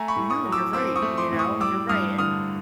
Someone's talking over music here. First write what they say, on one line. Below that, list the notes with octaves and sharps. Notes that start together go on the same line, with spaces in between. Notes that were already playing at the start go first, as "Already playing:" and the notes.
No, you're right, you know? You're right, and
Already playing: A3 G#5 A#5
B5 C#6
A2
C#6 D#6
F#3
D6 E6
C4 D6 E6
C#6 D#6
A3
C6 D6
A2
C#6 D#6
G3 D6 E6
G2 D#6 F6
D3 D#6 F6